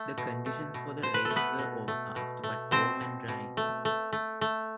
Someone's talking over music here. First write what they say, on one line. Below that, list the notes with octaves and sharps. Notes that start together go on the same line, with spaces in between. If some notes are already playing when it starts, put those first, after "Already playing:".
The conditions for the race were overcast, but warm and dry.
Already playing: A3
B2
A3
B2
B2 C5
B4
A4
A3
B3 B4
B2
A3
B2
A3
B2 C4 C5
B2
B2
A3
A3
A3
A3